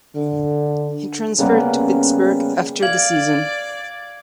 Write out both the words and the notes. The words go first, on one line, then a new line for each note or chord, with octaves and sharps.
He transferred to Pittsburgh after the season.
D3
C#3 G3 A#3 B3
D5 F5 G#6 F#7